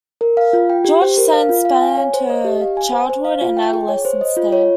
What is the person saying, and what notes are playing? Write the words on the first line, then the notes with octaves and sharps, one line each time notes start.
George Sand spent her childhood and adolescence there.
A#4
F5
F4
G5
G4
C5
A#4
F5
F4
F5
G#5
C#5
C5
D#5
G4
F5
G#5
C5
C5
F5
F4
G5
G#4
C#5
C5
D#5
F4
C#5